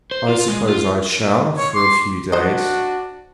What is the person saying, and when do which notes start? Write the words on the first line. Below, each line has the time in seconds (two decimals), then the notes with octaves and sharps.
"I suppose I shall, for a few days."
0.11 C5
0.29 F4
0.48 G#3
0.69 F4
1.58 C#5
1.74 C6 D6
2.32 D4 F#4 C5 D#5